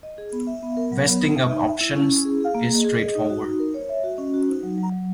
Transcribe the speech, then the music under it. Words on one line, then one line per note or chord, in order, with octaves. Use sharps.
Vesting of options is straightforward.
D#5
G#4
B3
E5
B3
A#4
F#3
B3
D#4
E5
D#4
E5
E4
C#4
E4
G#4
G#4
A#3
G#4
G#4
D#5
D#4
F#4
D#4
A#4
C#5
E5
F#4
C#4
F#4
D#4
F#3
F#3
F#3